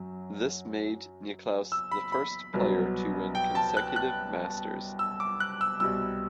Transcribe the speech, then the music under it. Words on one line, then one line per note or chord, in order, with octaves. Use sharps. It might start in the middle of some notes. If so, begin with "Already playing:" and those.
This made Nicklaus the first player to win consecutive Masters.
Already playing: F#2 F#3
E6
B5
B5
C2 B2 F#3 B3
G5
A5
F#6
F#6
E6
D6
F#6
E6
C2 B2 G3 E6